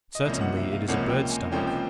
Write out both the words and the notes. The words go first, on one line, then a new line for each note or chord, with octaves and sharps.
Certainly it is a bird's stomach.
D#5
C#2 C3 F3 A#3 C#4 E5
F#5
E5
F5
C#2 C3 F3 A#3 C#4 F#5
G5
G#5
C#2 C3 F3 A#3 C#4 G5
G5